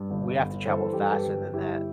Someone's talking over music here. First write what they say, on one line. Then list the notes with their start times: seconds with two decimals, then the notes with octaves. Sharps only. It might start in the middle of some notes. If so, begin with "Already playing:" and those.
We have to travel faster than that.
Already playing: G2
0.10 G1
0.39 G1
0.67 E3 A4 C5
0.93 G2 G4
1.02 A4
1.10 G4 B4
1.25 G1
1.53 G1 E4 G4